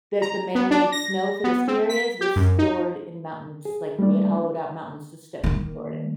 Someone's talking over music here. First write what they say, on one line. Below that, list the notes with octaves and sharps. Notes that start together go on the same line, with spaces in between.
that the man-made snow for the ski areas was stored in mountains. Like, we had hollowed out mountains to st pour it in.
A#5
B3
D4
A#6
B3
C4
B6
G4
F#2
D#4
G#4
G3 A3 A#3 D4 D5
D#3 A#3